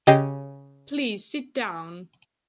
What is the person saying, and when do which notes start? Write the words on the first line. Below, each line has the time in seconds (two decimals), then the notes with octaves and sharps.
Please sit down.
0.07 C#3 G4 D#5 G5 G#6 C7